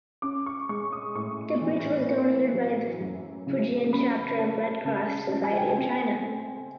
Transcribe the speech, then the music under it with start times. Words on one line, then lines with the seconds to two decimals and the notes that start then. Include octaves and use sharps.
The bridge was donated by the Fujian chapter of Red Cross Society of China.
0.22 C#4 D6
0.46 C#6
0.69 G#3 C#6
0.92 D#6
1.15 A2 C#6
1.61 E3
2.08 A#3
2.54 F#3
3.00 F#2
3.47 C#3
3.92 C#4 B5
4.39 A#3 A5
4.85 C#3 A5
5.32 F3 A5
5.44 G#5
5.57 G5
5.69 G#5
5.77 C4
6.24 A3